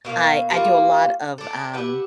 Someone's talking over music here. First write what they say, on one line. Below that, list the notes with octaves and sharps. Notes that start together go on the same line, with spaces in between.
I I do a lot of, um,
B2 A#3 G4 F5
G3 A#3 F4 F#4
D4 A4
G4 B4 E5 F#5